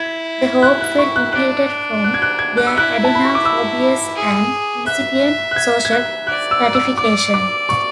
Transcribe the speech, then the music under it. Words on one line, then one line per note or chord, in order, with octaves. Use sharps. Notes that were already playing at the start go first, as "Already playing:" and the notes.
The Hopewell inherited from their Adena forebears an incipient social stratification.
Already playing: E4 G#6
F#6
F#6
C#6
F#6
D4 F#6
F#6
G#6
F#6
G#6
F#6
E6
E4 F#6
A5
B5
C#6
D6
E6
G#4
E5 F#6
F#6
G#6
G#6
F#6
D5 F#6
E6
E6
D5 D6
D6
C#6